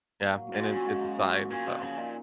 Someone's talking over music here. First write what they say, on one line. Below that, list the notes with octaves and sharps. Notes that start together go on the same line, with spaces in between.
yeah, and then it's a side, so
A#3
F#3
G#2 F#4
A#2 C#4
G#2 A#3
F#3
F#4
C#4
A#2 A#3
C3 F3
C#3 G#4
A#2 D#4